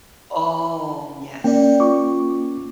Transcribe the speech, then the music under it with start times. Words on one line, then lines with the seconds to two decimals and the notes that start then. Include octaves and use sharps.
Oh, yes.
1.44 A#3 C#4 D5 G5
1.80 F4 C#6 D6